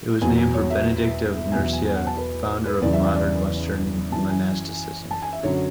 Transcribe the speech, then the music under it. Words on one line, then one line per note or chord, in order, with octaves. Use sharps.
It was named for Benedict of Nursia, founder of modern western monasticism.
E2 B2 F#3 G#5
C#5
E5
E2 B2 F#3 G#5
E5
G#5
G#5
F#5
A5
B4
B4
E2 C#3 E3 D5
E5
D5
D5
F#2 E3 A5
G#5
A5
G#5
E5
F#2 D3 F#3 C#5